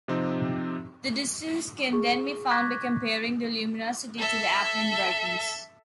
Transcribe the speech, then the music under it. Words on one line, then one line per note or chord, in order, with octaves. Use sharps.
The distance can then be found by comparing the luminosity to the apparent brightness.
C3 F3 C4 D#4 G4
G#4 C#6
C#6 D6 F#6 G#6 A#6 B6
A4 E5